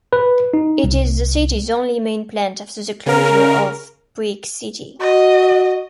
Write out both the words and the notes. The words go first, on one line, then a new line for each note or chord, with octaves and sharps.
It is the city's only main plant after the closure of Buick City.
B4
D#4
C2
C#3 A#4
F#4 D#5